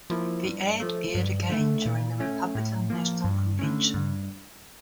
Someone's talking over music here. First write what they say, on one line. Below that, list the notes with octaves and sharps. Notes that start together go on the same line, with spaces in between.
The ad aired again during the Republican National Convention.
F3 A#3 E4
G2
F3 A3
G2
D3 A3
A#2
A3 C#4
A2
F3 A#3
G2
D3 A3 C#4
G2